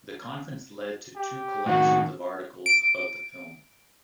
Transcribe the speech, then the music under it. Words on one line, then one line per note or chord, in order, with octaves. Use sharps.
The conference led to two collections of articles about the film.
G4
A2 D#3 F#4
D7